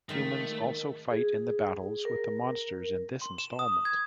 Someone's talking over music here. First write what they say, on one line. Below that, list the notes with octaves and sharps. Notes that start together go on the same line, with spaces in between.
Humans also fight in the battles with the monsters in this installment.
D#3 G#3 A3 F5
G#4
A#4
C6
E7
D#6
G#6